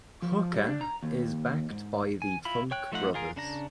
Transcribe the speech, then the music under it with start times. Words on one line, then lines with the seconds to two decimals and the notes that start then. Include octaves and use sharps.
Hooker is backed by the Funk Brothers.
0.22 F3
0.54 G3
0.68 D4
0.81 A#5
1.03 D#2
1.71 G#2
2.22 G#5
2.45 E4 F4 B5
2.71 C#5 G5 F#6
2.92 F3 A3 D#4 F4 F#5
3.14 F4 G#4 A#4
3.36 C#3 D4 A#5